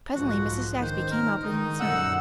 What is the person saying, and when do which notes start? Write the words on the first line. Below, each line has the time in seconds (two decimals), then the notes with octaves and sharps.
Presently Mrs. Saxby came up, looking concerned.
0.15 B1 G#2 F3 F#4
0.82 C#2 D#3 C5
1.11 A#4
1.43 G#2 D#3 D#4
1.80 F#2 A#2 D3 F#5 E6